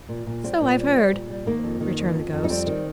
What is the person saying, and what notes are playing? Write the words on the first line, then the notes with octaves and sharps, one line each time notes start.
"So I've heard," returned the ghost.
A#2
A#2
G3 C4
A#2
G3
G3
A#2
G3
D#3 A#3
F2
D#3
F2
F2
F2
D#4
G3 C4
D#3